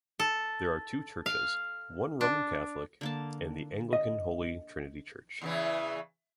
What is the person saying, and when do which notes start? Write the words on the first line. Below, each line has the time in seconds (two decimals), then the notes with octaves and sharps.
There are two churches, one Roman Catholic, and the Anglican Holy Trinity Church.
0.19 A4
1.26 F5
2.21 D4
3.01 D3 A#3 A5
3.93 D#5
5.41 E2 C#3 E3